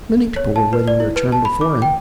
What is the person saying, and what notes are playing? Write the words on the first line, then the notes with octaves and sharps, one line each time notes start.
Many people were waiting their turn before him.
C#5
A5
B4
D5
E4
B4
A5
B5
D6
G5